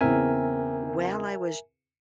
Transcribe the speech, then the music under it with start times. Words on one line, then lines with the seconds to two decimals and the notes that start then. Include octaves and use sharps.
while I was
0.01 E2 C#3 C4 A#4 E5 G#5